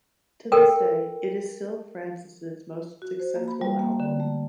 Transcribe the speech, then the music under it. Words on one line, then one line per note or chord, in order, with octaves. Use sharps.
To this day, it is still Francis' most successful album.
A4 A#4 G5
F#4
C5
A#3
B5
G3
A#3
D3
A3